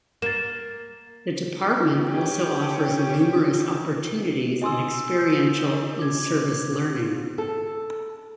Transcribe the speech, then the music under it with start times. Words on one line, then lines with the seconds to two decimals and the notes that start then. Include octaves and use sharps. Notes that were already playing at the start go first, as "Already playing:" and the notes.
The department also offers numerous opportunities in experiential and service learning.
0.22 A#3 A6 E7
2.06 C#4 G4
4.62 D#5 G#5 C6 D#6 E6
5.72 D4 A#4 D#5
5.99 D6 G#6
6.96 B3
7.38 A4